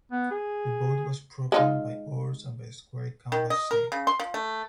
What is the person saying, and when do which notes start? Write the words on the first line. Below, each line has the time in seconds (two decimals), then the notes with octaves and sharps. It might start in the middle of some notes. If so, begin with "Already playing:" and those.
The boat was propelled by oars and by a square canvas sail.
0.12 B3
0.31 G#4
1.52 G#3 D#4 F4
3.32 D#3
3.50 D#5
3.71 A#4
3.92 C#3
4.07 C6
4.19 F3
4.34 A3